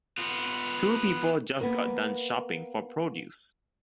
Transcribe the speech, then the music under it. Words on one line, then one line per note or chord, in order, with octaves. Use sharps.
Two people just got done shopping for produce.
B3 F4
A#3 B3 A#4